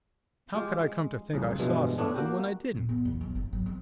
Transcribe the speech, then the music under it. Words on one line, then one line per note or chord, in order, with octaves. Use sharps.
How could I come to think I saw something when I didn't?'
G#3 F4 G4
G#3
C2 F2 A2 C#3
G2 B2 E3 F3 G3 G#3
A2 A3 B3 D4
A#3 F#4 G4
A#2
B3
E2
B1
G#1
F#3
C4